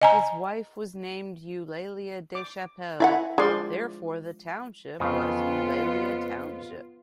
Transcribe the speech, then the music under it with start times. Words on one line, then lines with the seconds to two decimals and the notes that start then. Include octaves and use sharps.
His wife was named Eulalia Deschapelles, therefore the township was Eulalia Township.
0.02 D#5 G#5 A#5
2.35 D6
3.00 E4 D5 E5 F#5 G#5 A#5
3.38 F3 G#3 D4 D5 C6
5.00 F2 C#3 B3 F4